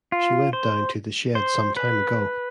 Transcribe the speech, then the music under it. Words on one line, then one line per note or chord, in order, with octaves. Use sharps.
She went down to the shed some time ago.
F4
C5
C5
B4